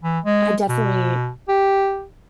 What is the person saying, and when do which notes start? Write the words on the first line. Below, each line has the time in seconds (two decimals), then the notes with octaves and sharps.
I definitely,
0.03 E3
0.24 G#3
0.69 B2
1.49 G4